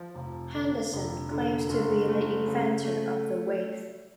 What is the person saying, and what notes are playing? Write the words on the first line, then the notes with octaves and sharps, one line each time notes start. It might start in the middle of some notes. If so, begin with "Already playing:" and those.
Henderson claims to be the inventor of "the wave".
Already playing: F3
F1
D3
F1
D3
F#1
A3
C#3
A3